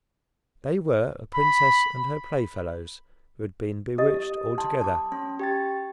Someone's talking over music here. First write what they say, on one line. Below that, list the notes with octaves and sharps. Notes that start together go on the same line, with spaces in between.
They were a princess and her playfellows, who had been bewitched all together.
B5
G4 D#5 D#6
A5 C6
A5 D6
C#4 C6
G4 G5 A6